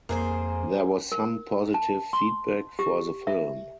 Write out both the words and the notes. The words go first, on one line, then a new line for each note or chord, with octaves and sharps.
There was some positive feedback for the film.
F2 A#3 G#4 B4 C5 G#5 A#5
A#4
A5
C6
G4
E5